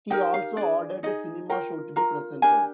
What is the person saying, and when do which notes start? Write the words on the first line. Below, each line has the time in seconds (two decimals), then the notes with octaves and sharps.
He also ordered a cinema show to be presented.
0.10 D#4 G4 A#4 G5
0.34 F5
0.57 D4 G#4 D5
1.03 D#4 G#4 D#5
1.50 F4 A#4 G5
1.96 F4 A#4 A#5
2.42 D4 G4 A#4 G#5